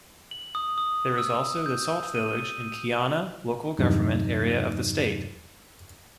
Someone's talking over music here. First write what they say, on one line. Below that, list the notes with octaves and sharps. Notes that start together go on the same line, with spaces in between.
There is also the Salt Village in Keana Local Government Area of the State.
F#7
D#6
D#6
E6
G6
D#7
E2 G2 C3 F#3 D#4